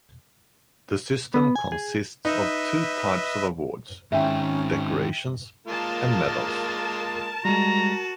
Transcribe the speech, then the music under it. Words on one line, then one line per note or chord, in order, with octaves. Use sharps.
The system consists of two types of awards: decorations and medals.
B3
G#5
G#4
D#4 B4 D#5 E5
G#2 D#3 C#4 E5 G5
G#3 A#3 F4 A#4 A5
G3 G#3 F#4 A#5